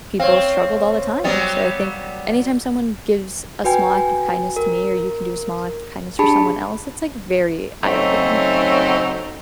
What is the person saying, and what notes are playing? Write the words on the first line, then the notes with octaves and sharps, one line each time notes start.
people struggled all the time, so I think, anytime someone gives a small act of kindness to me, or you can do a small act of kindness for someone else, it's like very eye-opening.
C4 C#5 F5
F#3 G3 B3
F#4 B4 G5 G#5
A#4
D4 G4 G#4 A5 B5
C#3 F#3 A3 C4 D#4